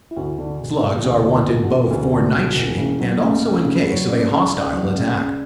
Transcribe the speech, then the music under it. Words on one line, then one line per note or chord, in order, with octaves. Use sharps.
Slugs are wanted both for night-shooting and also in case of a hostile attack.
E4
D2 F#4
D3
E1
E1
D2
D3
E1 E4
F#4
E1
F#4
D2
F#4
D3 F#4
E1
F#4
E1
C#3 E4
F#3 B3
C#2 A3
C#2
A4
C#3
B4
F#3
C#5
C#2 D5
C#2
C#3
F#3
C#2
C#2